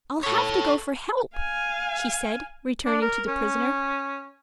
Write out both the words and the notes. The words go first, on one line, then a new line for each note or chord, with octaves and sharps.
"I'll have to go for help," she said, returning to the prisoner.
A4 C#5
F5 G#5
D4
A#4
C#4